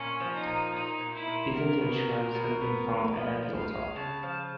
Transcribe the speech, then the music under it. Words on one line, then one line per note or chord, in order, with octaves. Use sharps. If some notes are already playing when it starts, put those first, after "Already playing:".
Byzantine shards have been found at a hilltop.
Already playing: A#2 C#4
F3
D#4
A#2
A#2 D#4
A#2
E4
A#2
B3 A#4
B2
B2
B2
B3
B3
F3 B4
F3
F5
G#3
C#3 A5
F3